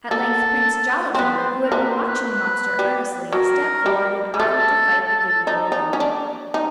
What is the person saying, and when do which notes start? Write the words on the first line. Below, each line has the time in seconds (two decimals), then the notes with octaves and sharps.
At length Prince Jollikin, who had been watching the monster earnestly, stepped forward and offered to fight the Gigaboo alone.
0.11 A#3 A4
1.15 C4
1.18 B3 B4
1.37 C5
1.68 A#4
1.72 A#3 B4
1.90 C5
2.07 B4
2.25 B4
2.79 G3
3.32 F#3 A#4
3.86 G3
4.34 G#3
4.40 A3 A4
5.47 D#4
5.72 D#4
5.93 C#4
6.00 D4
6.54 D#4